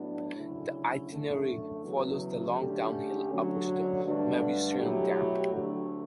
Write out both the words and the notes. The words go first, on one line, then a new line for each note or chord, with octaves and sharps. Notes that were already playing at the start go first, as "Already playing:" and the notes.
The itinerary follows the long downhill up to the Mauvoisin.dam.
Already playing: A2 F#3 B3 D4
D2 C#3 F#3 C#4 E4
F#2 D3 A3
E2 C#3 F#3
D3 A3 C#4 G4
D2 D3 F#3 C#4 F#4
G2 D3 A3 D4
B2 F#3 A3 E4 G4
D2 D3 F#3 A3